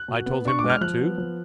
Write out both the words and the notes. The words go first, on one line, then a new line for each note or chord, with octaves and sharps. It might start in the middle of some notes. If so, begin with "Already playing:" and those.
"I told him that too?"
Already playing: F#6
B2
B3
D4 C#6
D6
G#3
F6
F3 F#6
B3
F3